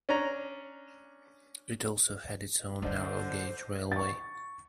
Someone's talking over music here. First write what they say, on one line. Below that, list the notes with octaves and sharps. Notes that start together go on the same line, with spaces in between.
It also had its own narrow gauge railway.
C#4 D4 A#5
A1 D3 G3 D#4 E4 C5 D5
C#6 A6